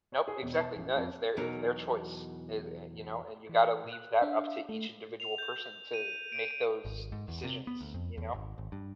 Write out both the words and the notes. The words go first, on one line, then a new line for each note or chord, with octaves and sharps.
nope, exactly. Yeah, it's their it's their choice, i you know, and you gotta leave that up to each individual person to make those decisions, you know?
C#5
G#4
E1
A5
A1
F2
E2 B2 F#3 D#4 A#4
E3
F#6
D4 E5 F5
A3
F7
G6
D#7
D7
G#1
G#2
E2
C3
B3
D2
F2
E2
G#1
G#1
G2